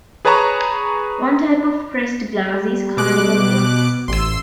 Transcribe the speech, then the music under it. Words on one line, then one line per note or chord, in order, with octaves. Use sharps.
One type of pressed glass is carnival glass.
G#4 B4 C#5 A5 A#5 C#6
G3
B2 D6 F#6
A1 C6 E6